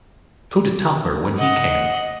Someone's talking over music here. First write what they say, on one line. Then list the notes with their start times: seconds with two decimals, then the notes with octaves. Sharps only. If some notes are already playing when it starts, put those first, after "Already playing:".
So did Topper when he came.
1.38 D#5 F#5